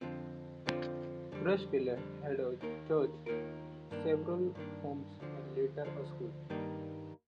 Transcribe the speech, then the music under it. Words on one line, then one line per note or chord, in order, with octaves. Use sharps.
Rushville had a church, several homes, and later a school.
F2 D3 F3 C4 F4
F2 D3 F3 C4 F4
F2 D3 G3
F2 D3 G3
D#2 D#3 A#3 F4 A#4
D#2 D#3 A#3 F4 A#4
G2 D#3 A#3 D4
G2 D#3 A#3 D4
D2 D3 F3
D2 D3 F3
G2 D#3 G3 A#3 D#4